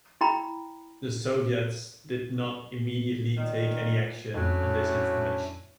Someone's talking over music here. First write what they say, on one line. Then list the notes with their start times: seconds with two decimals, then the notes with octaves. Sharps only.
The Soviets did not immediately take any action on this information.
0.21 E4 G5 A#5 B5
3.37 A#2 D#3
4.34 F2 F#3 A3 C#4 D4 E4